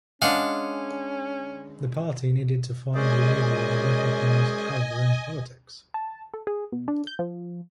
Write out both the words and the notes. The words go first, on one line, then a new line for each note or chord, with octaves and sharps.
The party needed to find a leader with a recognised calibre in politics.
G#3 C#4 D4 F5 F#5
F#2 G#3 C#4 G#4 C5 D5 D#5 G#5
A5
A4
G#4
B2
D4
G6
F3